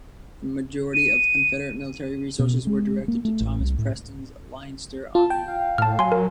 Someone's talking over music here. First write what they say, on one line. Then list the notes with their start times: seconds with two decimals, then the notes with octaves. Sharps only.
The majority of Confederate military resources were directed to Thomas Preston's Leinster Army.
0.94 D#7
2.39 B2
2.67 G#3
3.08 A#3
3.25 A3
3.40 A1
3.60 C2
3.78 A2
5.15 F4 A5
5.30 G5
5.48 F5
5.78 A2 A5 F6
5.99 F#3 G#5 C6
6.12 A#4